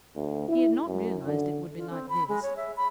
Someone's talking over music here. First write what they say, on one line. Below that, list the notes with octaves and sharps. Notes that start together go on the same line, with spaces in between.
He had not realized it would be like this.
D2
E4
F#2
D3
F4
C4
B5
G#3
C#5
E5
B5